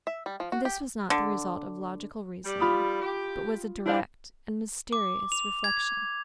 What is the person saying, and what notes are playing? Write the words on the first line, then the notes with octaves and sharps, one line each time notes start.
And this was not the result of logical reasoning but was a direct and mysterious reflection.
E5
G3
F3
F#4
G4
D3
G3
F4 B5 D#6
G4
D4 E4 C5 F5
D6
F7
G#6